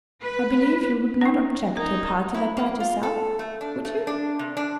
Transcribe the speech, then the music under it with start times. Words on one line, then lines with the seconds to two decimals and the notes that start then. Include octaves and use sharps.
I believe you would not object to a party like that yourself, would you?
0.23 B4
1.21 C#4 D#4
1.77 D#4 A#4
2.34 E4
2.57 A#3
2.80 F4
3.03 A4
3.39 A3
3.61 D4
3.85 A3
4.07 D4
4.39 C3
4.57 D4